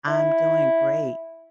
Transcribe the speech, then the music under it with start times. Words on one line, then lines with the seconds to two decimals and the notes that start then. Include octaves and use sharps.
I'm doing great.
0.08 E4